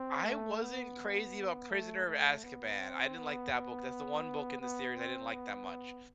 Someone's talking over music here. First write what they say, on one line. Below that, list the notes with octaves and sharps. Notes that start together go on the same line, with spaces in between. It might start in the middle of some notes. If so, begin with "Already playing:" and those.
I wasn't crazy about Prisoner of Azkaban, I didn't like that book. That's the one book in the series I didn't like that much.
Already playing: C4
A3
B3
A3
A3
B3
C4
B3
B3
B3
C4
B3